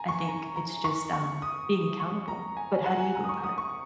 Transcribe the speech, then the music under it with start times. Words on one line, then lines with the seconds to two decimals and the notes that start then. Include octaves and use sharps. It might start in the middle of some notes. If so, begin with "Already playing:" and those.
I think it's just, um, being accountable. But how do you go about it?
Already playing: G#5 A#5
0.09 C#6
0.28 A#5
0.56 A#5
0.84 C#6
1.13 C#6
1.42 D#6
2.00 C#6
2.28 A#5
2.57 G#5
2.86 F#5
3.00 G#5
3.15 A#5
3.24 D#6
3.29 C#6
3.44 D#6
3.58 C#6